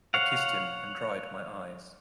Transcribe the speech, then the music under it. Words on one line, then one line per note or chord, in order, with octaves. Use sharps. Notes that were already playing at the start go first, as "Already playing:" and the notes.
I kissed him and dried my eyes.
C#5 F5 F#5